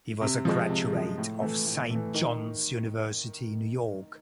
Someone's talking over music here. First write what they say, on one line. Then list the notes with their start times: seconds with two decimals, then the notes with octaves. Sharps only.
He was a graduate of Saint John's University, New York.
0.21 C3
0.45 F3 G#3
0.69 C3
0.93 F3 G#3
1.18 A2
1.42 E3 A3
1.67 A2
1.91 E3 A3
2.14 D#3